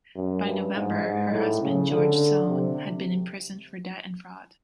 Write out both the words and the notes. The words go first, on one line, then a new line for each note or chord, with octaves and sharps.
By November her husband George Soane had been imprisoned for debt and fraud.
F#2
G2
G#2
G#2
A2
C#3
D3
C3